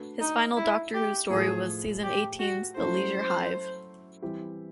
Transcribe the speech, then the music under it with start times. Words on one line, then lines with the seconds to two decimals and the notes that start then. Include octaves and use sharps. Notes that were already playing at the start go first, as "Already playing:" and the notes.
His final "Doctor Who" story was season eighteen's "The Leisure Hive".
Already playing: A3 D4 F#4 B4
0.20 D#4
0.57 E4
0.94 G4
1.30 A2 F3 A3 G#4
2.03 G4
2.40 F#4
2.76 F#3 A3 C#4 E4 A4 C5
4.22 E3 G3 C4 E4 G4